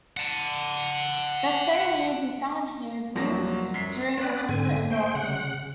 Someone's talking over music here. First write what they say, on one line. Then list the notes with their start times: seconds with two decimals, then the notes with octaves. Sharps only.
That same year, he sang in Hebrew during a concert in Morocco.
0.17 F#5 A5
3.16 B1 E2 G2 F3 F#3 A#3 A#6
3.74 F#2 B6 C7
4.17 B3 C#4 B4 D5
4.49 G#2 D3 C4 G#5
4.90 A3 C5 G5
5.15 C#3 F#5 F#6